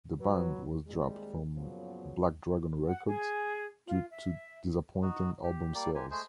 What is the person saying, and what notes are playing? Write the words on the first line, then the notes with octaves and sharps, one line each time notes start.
The band was dropped from Black Dragon Records due to disappointing album sales.
F#3 B4
D#2 C3 G3 G#3
F#2 A#2 C#3 F3 F#3 B3
F#5
G#4
F4
E5
D#4 F#4
G4
G3 A#3 D5
G#3 A#3 G4 G#5
G#3 A3 G#4 C5